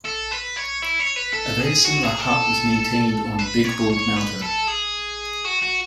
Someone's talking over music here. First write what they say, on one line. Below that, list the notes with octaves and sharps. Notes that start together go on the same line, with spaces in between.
A very similar hut was maintained on Big Bald Mountain.
A4
B4
C#5
E4
C#5
B4
A4
G#4
F#4
G#4
A4
B4
C#5
C#5
B4
A4
G#4
F#4
F#4